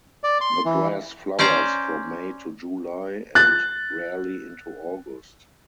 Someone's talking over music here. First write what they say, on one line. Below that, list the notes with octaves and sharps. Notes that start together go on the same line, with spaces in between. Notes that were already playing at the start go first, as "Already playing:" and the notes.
The grass flowers from May to July and rarely into August.
D5
C6
E3
C#4 C5 D5 A#5
F#6 A6